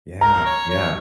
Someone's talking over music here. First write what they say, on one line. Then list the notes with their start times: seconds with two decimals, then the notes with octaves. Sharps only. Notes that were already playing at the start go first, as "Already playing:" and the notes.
yeah, yeah.
0.21 A#4 A#5
0.46 C#5
0.70 C#5